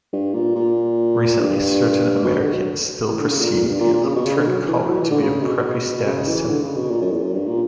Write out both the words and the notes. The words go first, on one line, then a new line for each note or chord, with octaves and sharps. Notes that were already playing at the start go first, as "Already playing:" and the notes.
Recently, certain Americans still perceive the upturned collar to be a "preppy" status symbol.
G2
A#2
A#2
G2
B2
D3
F#3
E3
D3
C#3
A#2
A#2
G2
A#2
A#2
C#3
B2
C#3
D3
F#3
E3
E3
F#3
E3
D3
C#3
B2
C#3
E3
D3
C#3
B2
A#2
F#2
E2
F#2
G2
A#2